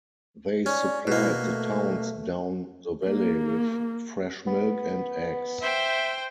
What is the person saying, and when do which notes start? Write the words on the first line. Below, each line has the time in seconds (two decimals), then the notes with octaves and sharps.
They supplied the towns down the valley with fresh milk and eggs.
0.66 C#4 D5
1.07 B2 A#3 E4
1.40 A3
3.07 A#3
4.47 B3
5.62 C5 E5 G5